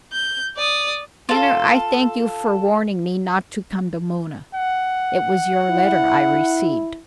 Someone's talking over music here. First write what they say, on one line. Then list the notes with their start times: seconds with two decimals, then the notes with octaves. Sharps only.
Skinner, I thank you for warning me not to come to Mona--it was your letter I received.
0.13 G6
0.57 D5 D#6
1.29 F4 A4
4.55 F#5
5.70 E4